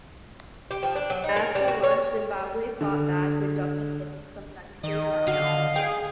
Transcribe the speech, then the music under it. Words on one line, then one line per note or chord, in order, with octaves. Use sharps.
After lunch, Zimbabwe fought back, with Duffin hitting some technically sound boundaries.
G4
F3
D4
F#3
D#4
A#4
G3
F#4
C#5
D3
D#3 D#5
D3 F#4 F5
G#4 G5